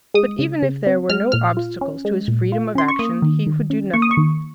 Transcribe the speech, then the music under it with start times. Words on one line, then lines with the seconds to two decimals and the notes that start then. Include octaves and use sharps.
But even if there were no obstacles to his freedom of action he would do nothing.
0.14 G#3 D#6
0.39 C#3
0.62 C#3
0.87 C4
1.09 G#3 F6
1.32 A#2 F6
1.57 F4
1.81 C#4
2.05 G#3
2.28 A#2
2.52 F4
2.75 C#4 C6
2.88 C#6
2.99 A#3 D#6
3.22 D#3
3.47 D#3
3.70 C#4
3.94 A#3 C#6
4.02 D#6
4.11 C#6
4.17 D#3